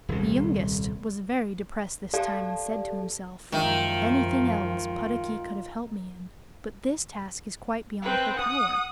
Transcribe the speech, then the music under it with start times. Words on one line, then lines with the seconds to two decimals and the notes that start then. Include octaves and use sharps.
The youngest was very depressed this time and said to himself, 'Anything else Puddocky could have helped me in, but this task is quite beyond her power.
0.09 D#1 C2
2.14 G4 A4 D5 F5 A5
3.52 F#2 D#3 F3 G#3 F4 E5 G5
8.02 C4 B4
8.36 F#5 D#6